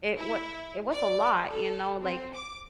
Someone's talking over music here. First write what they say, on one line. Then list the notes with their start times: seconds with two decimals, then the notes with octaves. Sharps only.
it wa it was a lot, you know, like,
0.17 E4
0.91 D5
1.48 A4
2.02 C4
2.34 D6